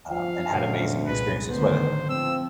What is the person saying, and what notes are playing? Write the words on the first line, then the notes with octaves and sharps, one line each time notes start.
um, and had amazing experiences with it.
F3 F5
D2 A#2 C#3 F3
C2 A#2 G#3 B4
A2 D3 D#3 B3 C5
F3 C4 E6